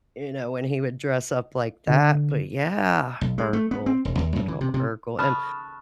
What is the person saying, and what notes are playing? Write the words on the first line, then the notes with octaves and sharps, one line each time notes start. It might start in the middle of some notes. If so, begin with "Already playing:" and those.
You know, when he would dress up like that, but yeah, Urkel. Good ol' Urkel. And
D3
B1
G#3
A3
B3
C4
E1
D#2
F#2
E3
C3
C3
A5 B5 C#6 D#6 F6 F#6